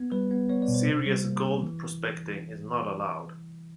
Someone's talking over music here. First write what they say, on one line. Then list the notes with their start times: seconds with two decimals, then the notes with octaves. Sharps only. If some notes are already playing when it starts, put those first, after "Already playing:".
Serious gold prospecting is not allowed.
Already playing: B3
0.12 G3 B4
0.31 B3
0.49 B3 C#5
0.62 D5
0.68 B2
0.74 C5
0.87 C3
1.06 G3
1.25 A#3
1.43 A#3
1.62 E3